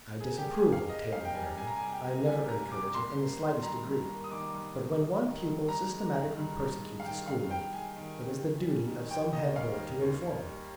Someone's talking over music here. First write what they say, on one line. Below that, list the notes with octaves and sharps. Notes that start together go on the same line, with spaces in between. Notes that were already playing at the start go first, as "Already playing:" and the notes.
I disapprove of tale-bearing, I never encourage it in the slightest degree; but when one pupil systematically persecutes a schoolmate, it is the duty of some head-boy to inform me.
A#3 G#4
G4
G3
G#4
C3
F5
C2 D#5
A#3 F5
G5
G3 G#5
C3 G#5
A#5
C2 G#5
G5
A#3
G3 G#5
C3 A#5
C2 D6
G2 C6
A#3
D#3
G2 A#5
G2
A#3
D#6
D#3 D6
G2
G2
A#3
D#3
G2
G2 A#5
G#3
D#3
G2
G2
G#3
F5
D#3 G5
G2 F5
G2 G5
G#3 G#5
D#3
G2
A#3
G3
D#3
D#2 G5
A#3 D#5
G3 F5
D#3
D#2
A#3
G3